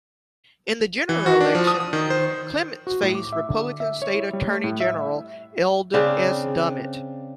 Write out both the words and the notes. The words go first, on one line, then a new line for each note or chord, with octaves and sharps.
In the general election, Clements faced Republican state attorney general Eldon S. Dummit.
E3
F#4
D4
F3
D#6
D#6
D#3
C5
F#4
A2
D6
E5
D3
E5
C#5
E4
G3
A3
A2
E5
C#3 C4 D4